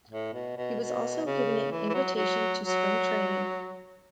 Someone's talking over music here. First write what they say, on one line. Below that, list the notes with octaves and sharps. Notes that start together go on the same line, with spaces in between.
He was also given an invitation to spring training.
A2
B2
B2
B2
C#3
E3
E3
F#3
F#3
F#3